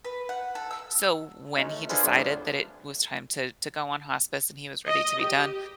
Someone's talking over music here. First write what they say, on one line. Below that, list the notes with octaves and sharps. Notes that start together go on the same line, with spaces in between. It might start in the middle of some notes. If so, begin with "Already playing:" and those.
So when he decided that it was time to to go on hospice and he was ready to be done,
B4
F#5
A4
E6
G#3 B3 C#4 D#4 F#4
A3
D4 F4 G#4 A4 B4 C5
F2 A2 G3 A3 B3 D4
D#5
G4